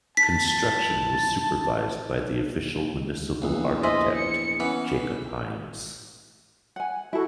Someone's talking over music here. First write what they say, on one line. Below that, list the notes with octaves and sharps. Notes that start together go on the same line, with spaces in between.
Construction was supervised by the official municipal architect, Jacob Heinz.
A5 B6
A#1 E2
G#4 C5 D#5 E5
C#7
E3 B3 C#4
F#5 G#5
E4 F#4 A4